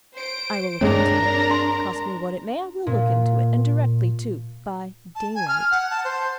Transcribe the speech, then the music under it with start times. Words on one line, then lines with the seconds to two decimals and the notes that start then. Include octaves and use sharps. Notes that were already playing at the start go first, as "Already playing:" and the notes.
I will look into it--cost me what it may, I will look into it--and directly too--by daylight.
0.15 C5 D7
0.81 G2 G#3 C4 D4 G#4 A#4 C#5 A#5
1.51 C6
2.87 A#2
5.15 A5
5.35 G#5
5.48 F6
5.71 F#5
5.90 A5
6.05 C5